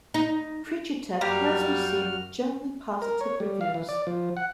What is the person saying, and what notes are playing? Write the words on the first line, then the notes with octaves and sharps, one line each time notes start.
"Creature Tech" has received generally positive reviews.
D#4
F#2 G3 A#3 F#4 G4 F6
A#4
C#5
G3
F5
E3
D5
F3
F#5